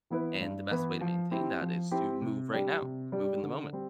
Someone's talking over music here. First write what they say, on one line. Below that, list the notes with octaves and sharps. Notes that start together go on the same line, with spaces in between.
and the best way to maintain that is to move right now, move in the moment.
E3 B3 E4 B4
G2
E3 B3 E4 B4
F3
C4 E4 G4
F3
C4 E4 G4
C3
G3 D4 G4 D5
C3
G3 D4 G4 D5
D3
G3 C4